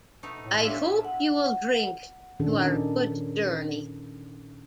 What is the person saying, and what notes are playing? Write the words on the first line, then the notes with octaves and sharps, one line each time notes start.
I hope you will drink to our good journey.
B2 A3 D#4
A2
A#2 G#3 F4
E2 G3 D4 E5
F#5
A#2 D#3 C#4 D4 G#4 A4